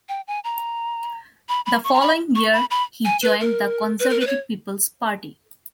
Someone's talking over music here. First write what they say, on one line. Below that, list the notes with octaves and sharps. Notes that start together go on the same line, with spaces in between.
The following year, he joined the Conservative People's Party.
G5
G#5
A#5
B5
B5
C#6
A#5
B5
C#6
B5
B5
G#5
B4
A#4
B4
A#4
B4
C#5